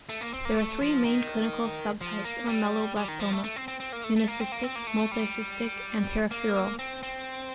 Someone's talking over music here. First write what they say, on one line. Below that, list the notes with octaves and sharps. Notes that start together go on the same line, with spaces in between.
There are three main clinical subtypes of ameloblastoma: unicystic, multicystic, peripheral.
A3
A#3
C4
A#3
A3
F3
D#3
F3
A#3
G3
G3
D#3
F3
A3
A3
C4
C4
C4
A#3
A3
A3
A#3
C4
A#3
C4
A#3
A3
G3
A#3
C4
C4